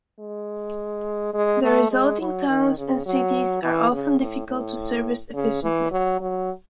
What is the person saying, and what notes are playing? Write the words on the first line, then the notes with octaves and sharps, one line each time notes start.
The resulting towns and cities are often difficult to service efficiently.
G#3
G#3
A3
G#3
F#3
D#3
C#3
F#3
E3
C#3
A2
A2
C#3
E3
F#3
F#3